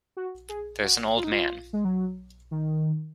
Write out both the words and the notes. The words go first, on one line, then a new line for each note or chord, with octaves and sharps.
There's an old man.
F#4
G#4
F#4
F4
D#4
F4
G#3
F#3
D#3